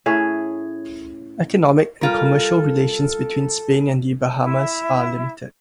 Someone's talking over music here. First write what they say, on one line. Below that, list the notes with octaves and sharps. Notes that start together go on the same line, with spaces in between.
Economic and commercial relations between Spain and the Bahamas are limited.
A2 C#4 G#4 E5
G3 F4 A4 A#4
E4 E5